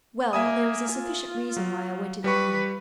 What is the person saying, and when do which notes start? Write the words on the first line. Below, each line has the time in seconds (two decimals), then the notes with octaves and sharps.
"Well, there was a sufficient reason why I went in alone."
0.33 A#3 E5 G#5 D#6
0.94 F4
1.57 F#3
2.24 G3 B4 C#6